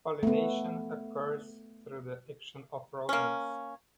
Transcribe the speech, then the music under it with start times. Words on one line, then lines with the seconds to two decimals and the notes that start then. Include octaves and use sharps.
Pollination occurs through the action of rodents.
0.23 A3 B3
3.09 A#3 C#4